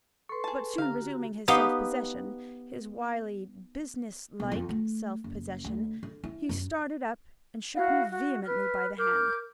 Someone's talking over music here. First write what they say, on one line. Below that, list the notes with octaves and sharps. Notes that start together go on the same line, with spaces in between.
But soon resuming his self-possession--his wily, "business-like" self-possession--he started up, and shook me vehemently by the hand.
A4 B4 C6 C#6
G#4 A5
D3 G4 F5 A#5
F#4
B3 D#4 G4 F5
B1
F2
A3
F#1
D2
D3
E4
F#2
E4 F#4 F5 F#5
F#4
B4 F6
A#4 D6 F6 G6